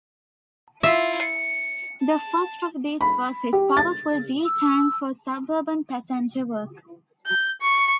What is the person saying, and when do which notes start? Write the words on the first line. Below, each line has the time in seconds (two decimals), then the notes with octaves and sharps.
The first of these was his powerful D-tank for suburban passenger work.
0.83 E4 F4 E5
1.22 C#7
2.03 A5
3.01 B5
3.53 G4
3.77 A6
4.45 E6
7.27 G6
7.61 C#6